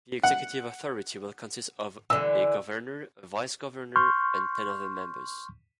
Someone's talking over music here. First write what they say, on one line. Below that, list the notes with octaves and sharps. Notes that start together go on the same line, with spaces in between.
The executive authority will consist of a governor a vice-governor and ten other members.
F#5
D3 E3 E6
C6 C#6 F6 G6